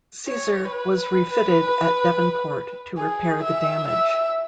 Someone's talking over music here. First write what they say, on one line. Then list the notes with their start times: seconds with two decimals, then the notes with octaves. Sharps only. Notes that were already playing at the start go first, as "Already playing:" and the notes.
"Caesar" was refitted at Devonport to repair the damage.
0.28 C#5
0.72 B4
2.98 G#4
3.43 E5
3.87 E5